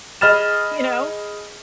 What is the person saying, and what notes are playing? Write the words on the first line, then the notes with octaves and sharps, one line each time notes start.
you know,
G#4 D#5 B5 F6 A6 E7